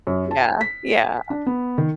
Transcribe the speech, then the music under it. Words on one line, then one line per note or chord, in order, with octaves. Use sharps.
Yeah, yeah.
F#2
A5
B6
D4
B3
D#3